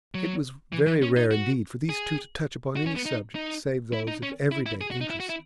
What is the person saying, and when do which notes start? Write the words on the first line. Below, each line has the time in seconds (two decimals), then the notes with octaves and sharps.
It was very rare indeed for these two to touch upon any subject save those of everyday interest.
0.15 F#3
0.73 E3
0.87 E3
1.02 C#4
1.17 D#4
1.31 F#4
1.89 G#4
2.76 F#4
2.86 C#4
2.96 B3
3.06 D#4
3.35 D#4
3.93 E4
4.08 D#4
4.23 C#4
4.52 E4
4.66 E4
4.81 G#4
4.91 F#4
5.01 D#4
5.10 E4
5.20 F#4
5.29 E4